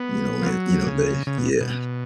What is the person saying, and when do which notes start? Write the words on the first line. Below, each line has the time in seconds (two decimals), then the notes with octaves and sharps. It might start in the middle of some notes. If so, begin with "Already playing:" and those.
You know, it you know, they yeah.
Already playing: B3
0.42 F3
0.46 F#3
0.87 C#3
1.27 C#3
1.38 B2
1.61 B2